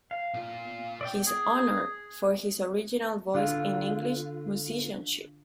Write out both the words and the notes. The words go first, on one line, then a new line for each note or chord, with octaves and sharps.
He is honoured for his original voice in English musicianship.
F5
A#2 F4
D5 E5 G5
G#4
D3 F4